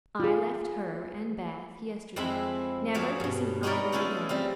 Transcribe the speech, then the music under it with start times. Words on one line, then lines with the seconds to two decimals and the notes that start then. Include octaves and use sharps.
I left her and Bath yesterday, never to see either again.
0.20 F4 G#4
2.16 F2 G#3 C4 E4 B5
2.94 F3 F#3 A#3 G#4 C#5
3.20 G2 B2
3.63 D#4 F#4 A#4 B4 C#5 D5
3.92 A3 C#4 E4 F4 G#4
4.29 G3 C4 F4